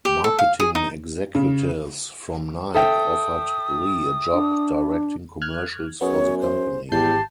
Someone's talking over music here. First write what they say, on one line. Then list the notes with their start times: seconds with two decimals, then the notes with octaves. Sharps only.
Marketing executives from Nike offered Lee a job directing commercials for the company.
0.05 G4
0.24 A4
0.39 F5
0.60 G#4
0.75 D#4
1.35 C#3
2.75 A4 E5 G5 D#6
4.33 D4
5.42 F6 F#6 G#6
6.01 F#2 B3 C#4 G#4 C#5
6.41 C5
6.92 G#1 E2 G4 A5 G6 C7